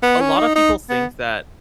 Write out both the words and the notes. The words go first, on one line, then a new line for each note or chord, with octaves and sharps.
a lot of people think that
B3
C#4
D#4
D#4
B3